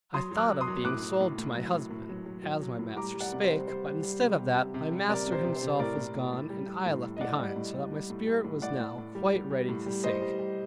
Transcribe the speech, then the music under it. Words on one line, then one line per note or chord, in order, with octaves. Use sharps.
I thought of being sold to my husband, as my master spake, but instead of that, my master himself was gone, and I left behind, so that my spirit was now quite ready to sink.
F#3 C6 D#6
F#3
D6 F#6
F#3
C6 D#6
F#3
A2 D6 F#6
A2
A2
A2
F#3
A2
A2
F#3
F#3
F#3
F#3
A2
G3 A#5 D6
G3
D5 F#5
C3
C5
G3
G3 C5
G3
G3
C3
G3
C3
C3
G3
C3 A#4 D5
C3
C5
C3
C5
C3
A2 A#4 D5
A2
A2
A2
G3
G3
A2
A2
D#5
A2 D5 F#5
G3
A2
G3
G3
A2
G3
A2
A2 D5 F#5
A2
A2
G3
G3
G3
A2
G3
A2 C5 D#5
G3
G3